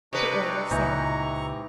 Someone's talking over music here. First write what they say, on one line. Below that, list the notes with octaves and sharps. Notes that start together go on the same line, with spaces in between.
Per order of Santa Claus.
C3 D4 B4 D#5 C#6
C#2 A#2 E3 D#4 A#5 C#6